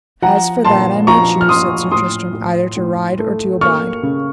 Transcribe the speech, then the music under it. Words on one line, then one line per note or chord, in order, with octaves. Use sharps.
As for that I may choose, said Sir Tristram, either to ride or to abide.
F3 F#5 A#5
A#2 A5 C6
F3 A#5 C#6
F6
F3 C6 D#6
A2 C6 D#6
A2
A2
A3
A#3 C#6 F6
C#3